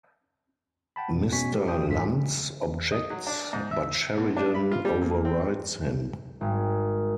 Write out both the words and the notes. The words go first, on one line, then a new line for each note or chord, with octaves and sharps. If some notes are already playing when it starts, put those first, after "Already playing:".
Mr. Lantz objects, but Sheridan overrides him.
F#5 G5 A5 B5
B2
B2 C#4 G#5 C#6 B6
G3 A3 G4 A4
F4 G4 D5 G5 D#6
F2 G#2 F4 A4 B6
D#5
F#3
D4
G#2
E5
B1
D4
B5
F4
G3
A#2
C4
G#1